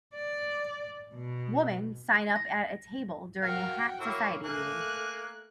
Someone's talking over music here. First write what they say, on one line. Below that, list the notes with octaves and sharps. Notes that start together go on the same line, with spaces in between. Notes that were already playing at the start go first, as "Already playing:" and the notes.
Woman sign up at a table during a hat society meeting.
D5
B2
A#6
F#4 A#4 F5 G5
A#3 E4 C#5
A3 A#3 G#5 F#6